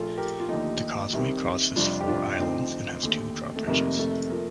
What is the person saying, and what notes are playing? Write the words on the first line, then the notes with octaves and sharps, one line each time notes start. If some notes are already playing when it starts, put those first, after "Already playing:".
The causeway crosses four islands and has two drawbridges.
Already playing: A#1 A#2 A3 F4 A4
G4 A#4
F4
D#2 D3 F3 A3 D#4 G4
C2 C3 D#3 G3
F2 C3 G3 D4 F4
G4
D4 F4
D2 D3 F3 C4 D#4
D#2 D3 A3
A3
F2 C3 D#3 A3 A#3
A3
F3 A3 A#3